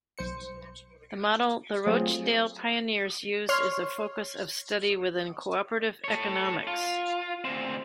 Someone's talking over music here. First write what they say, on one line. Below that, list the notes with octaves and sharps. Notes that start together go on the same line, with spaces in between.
The model the Rochdale Pioneers used is a focus of study within co-operative economics.
B1 C5 C#7
F#3 A3 C4 F4 G#4
C#5 C6 F6
A4 C#5
F4
D2 C4